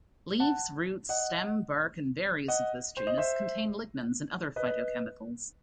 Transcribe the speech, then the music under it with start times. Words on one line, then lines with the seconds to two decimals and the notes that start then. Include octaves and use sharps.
Leaves, roots, stem, bark and berries of this genus contain lignans and other phytochemicals.
0.40 F#5 A5
1.09 D#5 F#5
2.48 D#5 F#5
2.97 C5
3.07 D#5
3.18 C5 E5
4.56 B4 D#5